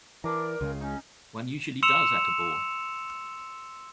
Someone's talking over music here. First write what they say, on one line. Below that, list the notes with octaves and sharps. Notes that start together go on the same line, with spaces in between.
One usually does at a ball.
E3 D4 A#4 D5 A#5
C#2 C#3 G#3 F4
C#4 D#4
C6 E6 C#7 E7 F7